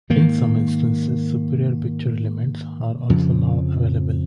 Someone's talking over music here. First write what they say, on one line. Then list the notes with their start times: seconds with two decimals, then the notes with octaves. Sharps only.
In some instances superior picture elements are also now available.
0.10 G#2 D#3 A#3
3.09 F2 C#3 F3